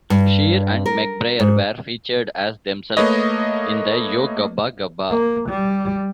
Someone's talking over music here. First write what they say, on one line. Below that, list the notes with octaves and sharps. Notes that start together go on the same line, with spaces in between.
Scheer and McBrayer were featured as themselves in the Yo Gabba Gabba!
G2
A#4
G#2
A3 A#3 B4 C#5 D#5
A#3
G3